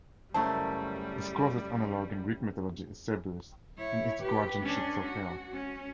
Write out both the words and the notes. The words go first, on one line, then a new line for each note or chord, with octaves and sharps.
Its closest analogue in Greek mythology is Cerberus, in its guardianship of hell.
F#2 C#3 G3 A3 E4 A#4 C5 A5
E4 C#5
G4 B4
C#4 D4
F#4
C#4